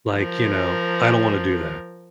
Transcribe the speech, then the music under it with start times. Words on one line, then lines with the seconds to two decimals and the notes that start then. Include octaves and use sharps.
like, you know, I don't wanna do that
0.12 F3 A#4